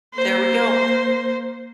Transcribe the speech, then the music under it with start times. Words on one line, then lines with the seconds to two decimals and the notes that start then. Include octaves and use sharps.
There we go.
0.15 A#3 C5